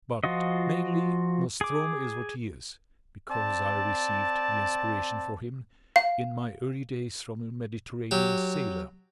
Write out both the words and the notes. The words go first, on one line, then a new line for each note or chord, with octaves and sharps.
But mainly Nostromo is what he is because I received the inspiration for him in my early days from a Mediterranean sailor.
F3 F4 F#4 D#5
G#4 D6
C4 D5 A5
F5
F#3 G4